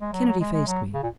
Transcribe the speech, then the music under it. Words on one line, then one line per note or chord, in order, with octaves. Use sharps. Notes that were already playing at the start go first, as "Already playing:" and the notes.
Kennedy faced me.
G#3
F#3
F#3
G#3
G#3
F#3
C#3
A#2